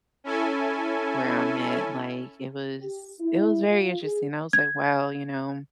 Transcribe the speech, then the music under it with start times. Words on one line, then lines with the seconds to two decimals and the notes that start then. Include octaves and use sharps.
where I'm at, like, it was it was very interesting. I was like, "Wow, you know"
0.24 C#4 E4 A4 G#5
2.81 G4
3.20 E4
3.68 F4
4.03 G#4
4.53 G#6